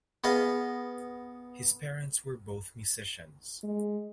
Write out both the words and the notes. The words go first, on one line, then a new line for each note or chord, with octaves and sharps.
His parents were both musicians.
B3 G#4 D#5 F5
G#3